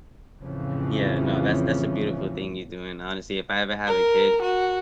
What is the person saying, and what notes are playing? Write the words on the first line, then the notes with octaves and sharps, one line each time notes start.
Yeah, no, that's that's a beautiful thing you're doing, honestly, if I ever have a kid,
F2 A2 C#3 E3 F3 C#4
A#4
F#4